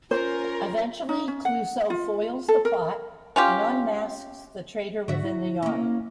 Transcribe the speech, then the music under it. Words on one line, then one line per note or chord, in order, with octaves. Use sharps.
Eventually, Clouseau foils the plot and unmasks the traitor within the Yard.
C#4 F4 A#4 C5
D#4
C#4
F#5
F4
A4
A#4
C#4 F4 G4
G#2 D3 F#4 E5
E4
A#3 C#4